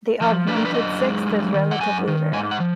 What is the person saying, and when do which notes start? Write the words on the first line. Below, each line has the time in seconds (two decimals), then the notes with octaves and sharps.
The augmented sixth is relatively rare.
0.21 F3 A#4
0.47 D4 B4
0.56 A#4
0.65 B4
0.74 F#2 D#5
1.01 G#3
1.28 F#2
1.54 D#3
1.71 F#5
1.80 F#2 G#5
2.07 D#3
2.33 G#2 G#5
2.51 F#5
2.60 F3